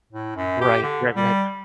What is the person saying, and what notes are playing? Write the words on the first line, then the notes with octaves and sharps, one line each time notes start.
Right. Right. Right.
A2
F#2
G4
D3
G3